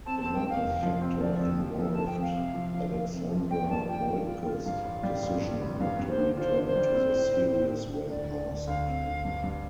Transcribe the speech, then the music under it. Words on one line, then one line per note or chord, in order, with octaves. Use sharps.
Another factor involved Alexandra Moltke's decision not to return to the series when asked.
C4 A5
A5
C4
G5
C4
F5
F1
F3
C4
F3 D5
F2 A4
F3 G4
F3 A4
A3 A5
G5
F2 F5
C3
F3
F3
F4
C3
F3
G3 G5
G2 A5
F4 G5
F4
F4
F4
G2 F5
A1
G3
A1
G2
A1
G2 F5
G2
C5
D3
F4 C5
D3
C5
G3
C4
A2
C4
A2
A2
A2
D2 D5
D3
D2
D2 F5
C4
D2
G2
G2